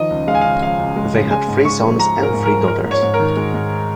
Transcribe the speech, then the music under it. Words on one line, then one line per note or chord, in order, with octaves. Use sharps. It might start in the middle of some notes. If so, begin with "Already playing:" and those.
They had three sons and three daughters.
Already playing: D#3 F3 D#5
C#2
G#3 F5
G#5
F5
C#3
F3 F5
C#2
G#3
C#3
G#3 G#5
G#2
G#2 C#6
F3
G#3 A#5
G#2
A#4
G#2
A#4
F3
G#3 A#4
G#2
C#5
G#2
A#4
D#3
G#3
G#2